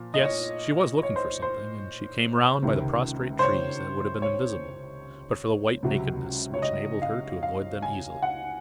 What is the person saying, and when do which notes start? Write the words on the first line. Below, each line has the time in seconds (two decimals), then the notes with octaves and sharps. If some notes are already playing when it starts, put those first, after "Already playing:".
Yes, she was looking for something; and she came round by the prostrate trees that would have been invisible but for the white nakedness which enabled her to avoid them easily.
Already playing: A#2 F3
0.14 D#5
0.23 C#5
1.03 C#5
1.16 C5
1.42 C5
2.62 C#2 C3 D#3
3.39 C5
3.42 C#5
4.22 C#5
5.83 C#2 C3 F#3
6.54 C#5
6.62 D#5
7.02 F5
7.43 F5
7.82 G#5
8.23 F#5